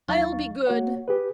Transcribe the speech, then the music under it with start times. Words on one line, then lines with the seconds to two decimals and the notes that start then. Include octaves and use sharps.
I'll be good!'
0.08 D#2 F#3 D#4 F5 C#6 A6
0.67 A#3 F#4 C#5 F#5
1.08 G4 G#4 B4